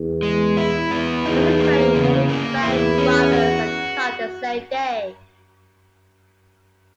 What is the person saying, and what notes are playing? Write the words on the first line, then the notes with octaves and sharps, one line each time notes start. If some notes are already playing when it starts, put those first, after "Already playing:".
Consequently, many bank robbers are caught the same day.
Already playing: E2
G#3
E4
B3
E2 D#4
A#3
C#3
A#3
E2 E4
C#4
F#4